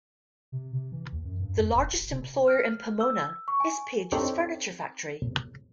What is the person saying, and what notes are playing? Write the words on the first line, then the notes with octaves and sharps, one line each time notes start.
The largest employer in Pomona is Pages Furniture Factory.
C3
C3
E3
D#2
F#2
G2
F2
F#1
D1
C3
F6
E6
C#6
G#5
C4 D4 D#4 G4 A4 C#5